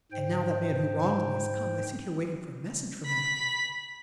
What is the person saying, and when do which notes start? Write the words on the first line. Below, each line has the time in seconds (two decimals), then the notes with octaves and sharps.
And now that man who wronged me has come; I sit here waiting for a message from him.
0.12 G#2 C5 G5
3.06 B5 B6